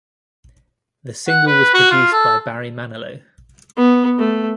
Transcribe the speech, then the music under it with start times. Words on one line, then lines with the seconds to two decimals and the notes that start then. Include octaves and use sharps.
The single was produced by Barry Manilow.
1.28 F#5
1.47 B4
1.74 F#4
1.91 F4
2.13 A4
3.77 B3
4.19 A3